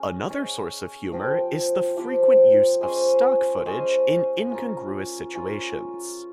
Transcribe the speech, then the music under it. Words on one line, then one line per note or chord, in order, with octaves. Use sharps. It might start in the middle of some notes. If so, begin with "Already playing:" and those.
Another source of humour is the frequent use of stock footage in incongruous situations.
Already playing: C#4 G#4
C#4 G#4 D#5
F3 C4 G4
F3 C4 G4
C#4 G#4 C5 D#5
C#4 G#4 C5 D#5
C#4 F4 A#4
C#4 F4 A#4